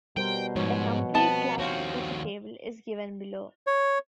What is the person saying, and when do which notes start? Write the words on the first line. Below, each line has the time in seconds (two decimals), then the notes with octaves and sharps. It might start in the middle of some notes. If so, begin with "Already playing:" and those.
The complete classification table is given below.
0.17 B2 G3 A#4 C5 G5
0.56 G#2 F3 F#4 C#5
1.15 B3 C4 A5
1.58 D#2 F#4 C5 C#5 F5
3.67 C#5